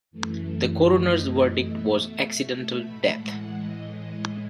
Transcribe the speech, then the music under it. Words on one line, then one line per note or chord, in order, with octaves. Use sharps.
The coroner's verdict was accidental death.
F#2 E3 A3
D#5
B2 A3 E5
E5
B5
A2 E3 G#3 F#5
D#5